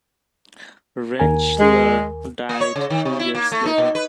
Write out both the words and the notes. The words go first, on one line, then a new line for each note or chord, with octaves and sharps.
Rentschler died two years later.
D#2 A#4 G#5
G#3
A#3
C#5
C#3
D#3
C3
E4
A#3
A3
D#4
B2
B4